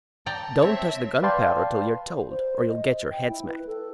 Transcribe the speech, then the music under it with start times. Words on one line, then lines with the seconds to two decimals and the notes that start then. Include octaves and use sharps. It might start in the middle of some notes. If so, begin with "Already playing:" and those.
"Don't touch the gunpowder till you're told, or you'll get your head smacked."
0.26 D5 G5 A5 A#5
0.62 C4 C#5 E5
1.23 B4 D5 F5 G5 A5 C6
2.30 C5
2.69 D#5
3.11 G5
3.28 E4
3.47 B4
3.67 A4